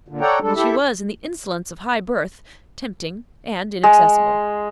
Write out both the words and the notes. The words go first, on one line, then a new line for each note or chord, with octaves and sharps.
She was, in the insolence of high birth, tempting and inaccessible.
A#2 D3
A4 C#5 D5 F#5 G5 A#5
G3 G#3 D4 A4
E4 G4 A4 E5
G#3